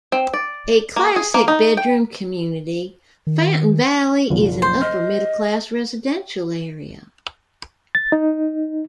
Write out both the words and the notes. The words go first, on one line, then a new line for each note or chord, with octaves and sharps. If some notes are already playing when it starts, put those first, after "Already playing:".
A classic bedroom community, Fountain Valley is an upper middle-class residential area.
C4
D5
A#3
G#4
A#3
D#4
G5
D#3
F#1 B1 F3
C5
D#5 F6
A6
D#4